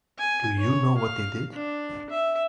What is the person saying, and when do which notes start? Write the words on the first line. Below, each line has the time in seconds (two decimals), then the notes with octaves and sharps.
Do you know what they did?
0.18 G#5
0.58 C#5
0.97 F5
1.53 D4
2.10 E5